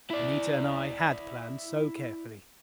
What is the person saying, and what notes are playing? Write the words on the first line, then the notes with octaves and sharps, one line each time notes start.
Anita and I had planned so carefully.
E4 D5